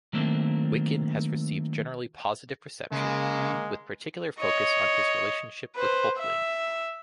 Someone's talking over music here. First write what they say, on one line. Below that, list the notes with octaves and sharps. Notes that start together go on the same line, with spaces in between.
Wiccan has received generally positive reception, with particular focus on his relationship with Hulkling.
D#3 F#3 A3 A#3 C4 D4
C#3 G#3 A#3
C#5 D#5
B4 C5
E5